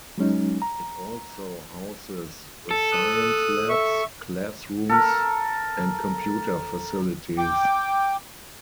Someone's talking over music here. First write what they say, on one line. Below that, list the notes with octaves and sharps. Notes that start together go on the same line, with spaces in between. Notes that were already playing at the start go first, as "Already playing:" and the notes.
It also houses the science labs, classrooms and computer facilities.
F#3 G#3 C#4 D#4
A#5
A4
D#6 F#6
E5 C#6
A4 A#4
G5 D6